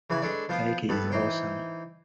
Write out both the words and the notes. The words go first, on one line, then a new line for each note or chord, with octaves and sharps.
Ikey is awesome.
C#3 E3 B4 G#5 B5
G#3 D4 A4 B4 C#5 D5
F3 B3 F4 C5 D6
G2 B3 A4 B4
E3 D#4 C5 G5